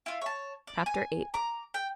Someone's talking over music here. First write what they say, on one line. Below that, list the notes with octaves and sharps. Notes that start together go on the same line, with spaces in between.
Chapter VIII.
E4 F4
C#5 A5
D5
G#5
A#5 D6
G5